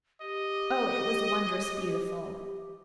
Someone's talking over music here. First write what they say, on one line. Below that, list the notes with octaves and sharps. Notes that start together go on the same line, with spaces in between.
Oh, it was wondrous beautiful!
G4 D#5